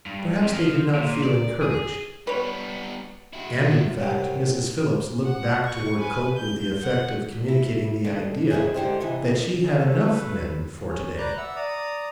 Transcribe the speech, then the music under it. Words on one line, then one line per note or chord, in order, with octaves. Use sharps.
Perhaps they did not feel "encouraged." And in fact Mrs. Phillips looked back toward Cope with the effect of communicating the idea that she had enough men for to-day.
G2
F2
F3
A#2
D5
G#4
G3 B3 B4 C#5
E4 F#4
F#2 C3 F#3
F#5
C#6
B4 G#5
G6
F#5
E4
D#2 D3
G#2 C4 E4 G#4
G#2 D3 G4 C5
C3 E3 E4 D#5
A3 C#4 G#4 F5
B4
C#4 C#5
B4 D5 A#5 F#6 G6
E5 F#5 E6
D5 A#5 D#6